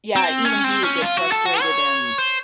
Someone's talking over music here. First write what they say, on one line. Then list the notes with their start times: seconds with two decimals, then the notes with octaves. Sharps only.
yeah, even he would get frustrated and
0.16 C4
0.45 C#4
0.64 C4
0.83 C#4
1.02 F4
1.17 F#4
1.32 A4
1.46 F#4
1.60 C#5
2.18 C5